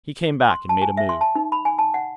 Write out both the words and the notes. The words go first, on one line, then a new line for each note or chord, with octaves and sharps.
He came back and made a move.
C6
A5
G#5
E5
C6
A5
D#4
B5
G#5
A5
F#5